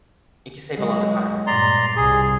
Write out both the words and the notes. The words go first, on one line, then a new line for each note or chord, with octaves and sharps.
it can save a lot of time.
F#3 G#3
G2 A#2 D5 A#5 C6
C2 G#4